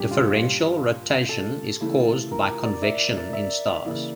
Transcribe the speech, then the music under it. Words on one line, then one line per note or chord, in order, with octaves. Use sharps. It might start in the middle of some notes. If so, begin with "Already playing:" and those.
Differential rotation is caused by convection in stars.
Already playing: G2 D3 G3 C#4 G4
F4
A4
C#3 E3 A3 E4
A#4
D5
E5
D5
E5
C#3 E3 A#3